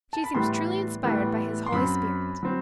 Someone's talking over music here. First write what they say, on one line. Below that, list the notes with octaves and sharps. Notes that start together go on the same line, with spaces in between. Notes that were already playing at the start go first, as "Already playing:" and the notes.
She seems truly inspired by His Holy Spirit.
A5
B5
A2 E3 G3 B3 C6
A2 E3 G3 B3
C6
F#2 F#3 C4 B5
F#3 C4